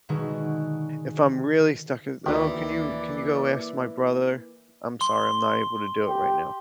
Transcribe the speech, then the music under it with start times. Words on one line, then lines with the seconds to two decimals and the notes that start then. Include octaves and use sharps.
if I'm really stuck with, "Oh, can you can you go ask my brother? I'm sorry, I'm not able to do it right now."
0.09 B2 D3 D#3 G#3 F#4 G#4
2.26 D2 D#3 A#3 E4 B4 D5
5.01 C6 G7
6.08 G4